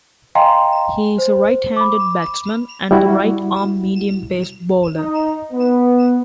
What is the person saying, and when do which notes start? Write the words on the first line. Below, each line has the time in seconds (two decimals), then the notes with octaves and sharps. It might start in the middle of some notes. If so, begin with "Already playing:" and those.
He is a right-handed batsman and right-arm medium-pace bowler.
0.35 D#5 F5 G5 G#5 A#5 C6
1.18 C5
1.76 B5 D6
2.91 G3 E4 F#4
4.96 D#4
5.52 B3